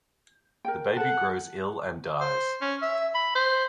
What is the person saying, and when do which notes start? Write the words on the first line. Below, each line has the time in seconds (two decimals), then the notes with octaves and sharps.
The baby grows ill and dies.
0.65 A#4 G5
0.97 A4 F#5 A5
2.21 C5
2.61 C#4
2.82 E5
3.15 B5
3.36 C5